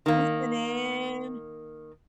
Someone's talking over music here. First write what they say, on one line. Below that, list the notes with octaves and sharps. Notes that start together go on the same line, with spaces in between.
listen in?
D#3 A#3